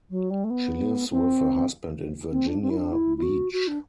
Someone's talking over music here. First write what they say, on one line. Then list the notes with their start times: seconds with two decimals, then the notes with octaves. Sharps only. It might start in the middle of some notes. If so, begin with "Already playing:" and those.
She lives with her husband in Virginia Beach.
0.10 F#3
0.30 G3
0.44 A3
0.50 B3
1.10 C4
2.31 C4
2.47 D4
2.62 C4
2.69 E4
2.77 D4
2.92 E4
3.17 E4
3.22 F#4
3.52 F#4
3.67 D4